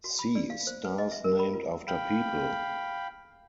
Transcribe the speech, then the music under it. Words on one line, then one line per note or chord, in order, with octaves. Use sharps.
See stars named after people.
F#4
B5
D5
F5
C5
B4
D#5
E5
A#4
B5
F4
F5 G5 B5